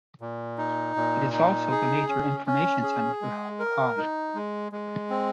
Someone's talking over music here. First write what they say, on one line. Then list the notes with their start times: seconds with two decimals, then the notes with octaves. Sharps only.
It is also the major information centre for Hong Kong.
0.21 A#2
0.58 D#4
0.96 A#2
1.33 D#4
1.71 G#4
2.09 C#4
2.46 C#4
2.84 G#4
3.22 G#3
3.59 A#4
3.97 D#4
4.35 G#3
4.72 G#3
5.10 C4